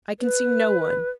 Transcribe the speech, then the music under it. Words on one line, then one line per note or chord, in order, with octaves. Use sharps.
I can see no one.
B4